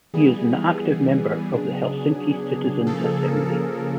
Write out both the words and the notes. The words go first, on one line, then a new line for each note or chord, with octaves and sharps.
He is an active member of the Helsinki Citizens Assembly.
E3 G3 B3 G#4
C#3 F#3 B3 D4
C#3 F3 A#3 A4
A#4
A4
G#4